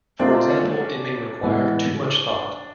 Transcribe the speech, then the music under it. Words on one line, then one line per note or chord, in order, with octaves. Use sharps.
For example, it may require too much thought.
A3 C4 D4 F4 A#4 D#5
C#4
C#4
A2 E3 G#3 B3 E4
D4